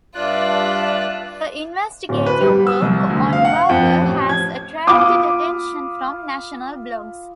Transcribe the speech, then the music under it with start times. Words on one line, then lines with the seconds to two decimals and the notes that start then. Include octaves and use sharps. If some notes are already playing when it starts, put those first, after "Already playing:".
Her investigative work on Barbour has attracted attention from national blogs.
0.15 G2 F4 D5 E5 F#6
2.09 D1
2.26 B4
2.41 G3
2.67 E6
2.82 C2
3.10 D2
3.33 F5
3.45 F#5
3.69 F2
4.01 A1
4.29 G#6
4.87 F4 F5 B5 D6 D#6